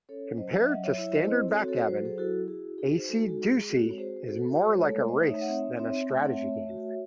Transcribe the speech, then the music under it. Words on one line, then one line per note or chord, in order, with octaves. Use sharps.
Compared to standard backgammon, acey-deucey is more like a race than a strategy game.
C#4 A4 C#5
F#3 C5 D#5
E5
F#3 D#5 F#5
C#5 E5
E4 C#5 E5
C5 D#5
C4 C5 D#5
A4 C#5
F#4
A4 C#5
F#3 C5
A4
G#4 C5
E4 F#4 A4
F#4 G#4
D#4 G#4
C5
G#3 F#4 A4
F#4 A4
G#3
G#4
G#4
C4 F#4 A4
C#5
F#4 G#4 C5
C5
F#4 A4
G#3 C#5
C5
A4 C#5
A3 A4 C#5
C5 D#5
D#4
C#5 E5
F#5
C4 C#5 E5
C4 C#5 E5
A3 E5
F#5
C#5 E5
A3
F#4